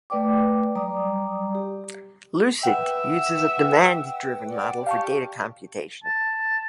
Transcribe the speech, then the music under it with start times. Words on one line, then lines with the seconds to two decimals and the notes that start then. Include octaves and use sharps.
Lucid uses a demand-driven model for data computation.
0.10 A3 B4 D5 G5 D6
0.75 F#3 G3 D5 A#5 D6 D#6
1.55 G4
2.63 B4 E5 F#5 G5
4.51 D5
4.87 G4 F5 A5 C#6
6.04 A5